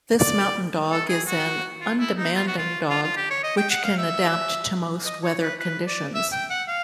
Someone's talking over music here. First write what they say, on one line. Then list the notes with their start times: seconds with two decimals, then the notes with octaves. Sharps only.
This mountain dog is an undemanding dog, which can adapt to most weather conditions.
0.19 D5
0.91 A4
1.09 G#4
1.27 F#4
1.81 F4
1.99 E4
2.17 D#4
2.35 F4
2.47 F#4
2.58 F4
2.89 F4
3.03 F4
3.16 G4
3.30 C#5
3.43 D#5
3.57 G5
3.70 F#5
3.84 F5
3.98 E5
5.05 D#5
5.23 C#5
5.42 B4
5.60 B4
5.87 D5
6.14 E5
6.32 G5
6.50 F#5
6.68 F5